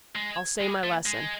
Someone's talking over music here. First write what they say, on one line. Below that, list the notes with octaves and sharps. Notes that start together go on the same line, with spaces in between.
I'll say my lesson.
G#3
G#3
A3
G#3